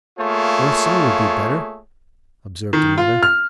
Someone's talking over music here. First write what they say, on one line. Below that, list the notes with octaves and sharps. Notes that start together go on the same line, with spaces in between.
"Or a song would be better," observed another.
A3 A#3 F4 G#4 C#5
D#3
F4
F6